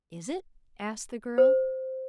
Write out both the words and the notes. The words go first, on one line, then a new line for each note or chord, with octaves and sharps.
"Is it?" asked the girl.
C5